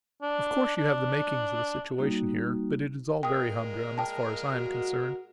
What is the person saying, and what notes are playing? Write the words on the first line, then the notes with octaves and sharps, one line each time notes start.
Of course you have the makings of a situation here, but it is all very humdrum, as far as I am concerned.
D4
D4
G3 A#3 D#4 F#4
A#2 G#3 A#4 G5 D#6
G5 A5
F#4